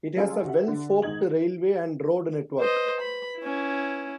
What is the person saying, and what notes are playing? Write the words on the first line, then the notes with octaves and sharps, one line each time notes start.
It has a well-forked railway and road network.
F#3 G3 C#4 F4 G#4 A4
F#4 G4 E5 F#5
D3
G#2 D#3 D#4 G#6 F#7
B4 C5 D#5
B5
C#4 E4